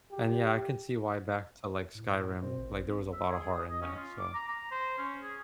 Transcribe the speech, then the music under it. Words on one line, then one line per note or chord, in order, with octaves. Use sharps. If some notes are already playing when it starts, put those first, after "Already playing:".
And, yeah, I can see why back to, like, Skyrim, like, there was a lotta heart in that, so
G4
A2
B2 C4
A1
E5
G#4
D#6
D#5
C#4
F4
D6
A#5
A#5
C5
C#4
G#4